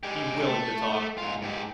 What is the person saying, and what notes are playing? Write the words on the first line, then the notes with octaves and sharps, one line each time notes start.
be willing to talk.
G#3 G4
A3
G#2 F4
G#2 G4